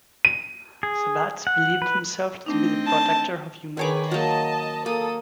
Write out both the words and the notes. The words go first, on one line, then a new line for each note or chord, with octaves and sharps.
Sabbath believed himself to be the protector of humanity.
D#7
G#4
F#5
B4
A3 C4 D4 D#4 D#5
A5
D#3 G#4 B4 C#5 D6
F#3 A#3 D#5 A5
A#3 A4 D#6